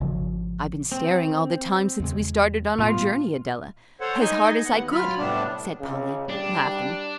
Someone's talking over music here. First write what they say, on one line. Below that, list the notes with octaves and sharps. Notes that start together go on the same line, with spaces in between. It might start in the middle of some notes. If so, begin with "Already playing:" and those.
"I've been staring all the time since we started on our journey, Adela, as hard as I could," said Polly, laughing.
G#1 C#3 F3
C4
E2 C#3 G#3
A2 A3 B3 F4
A4 C5 C#5 F#5
D#4 D#5 G#5
D#2 B3 F#5
F#3 F4 B5 F6
A2 C3 G3 B3 D4
C#3
G3 D4